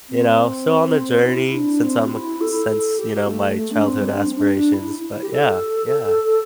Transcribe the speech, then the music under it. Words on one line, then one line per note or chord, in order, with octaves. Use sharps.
you know, still on the journey since I'm a since, you know, my childhood aspirations, but, yeah, yeah.
C4
E4
D4
C4
G4
E4
A4
A4
G4
A3
A3
D4
C4
G3
D4
C4
D4
D4
E4
G4
A4